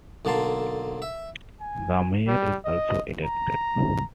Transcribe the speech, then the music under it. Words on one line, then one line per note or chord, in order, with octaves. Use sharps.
The mayor is also elected.
B1 D3 A#3 A5 C6
E5
G#5
G3
D#5
A#5